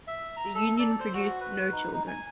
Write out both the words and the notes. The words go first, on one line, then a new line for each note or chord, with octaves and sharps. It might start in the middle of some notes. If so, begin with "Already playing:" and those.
The union produced no children.
E5
A#5
A4
D5
C5
F#4
B4
D#4
D#4
G#5